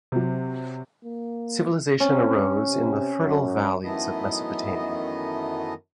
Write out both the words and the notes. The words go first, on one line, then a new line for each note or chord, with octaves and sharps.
Civilization arose in the fertile valleys of Mesopotamia.
C3 F#3
A#3
C4 C#4
C3
F#2
F#2 D#3 E3 A3 B3 D#5